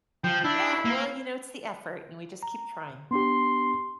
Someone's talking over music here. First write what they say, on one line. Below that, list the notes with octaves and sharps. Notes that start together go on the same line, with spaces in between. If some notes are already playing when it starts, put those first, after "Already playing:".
Yeah, well, you know, it's the effort, and we just keep trying.
F3 G5
D4 E4
A#3
A#5
B3 D4 G4 C6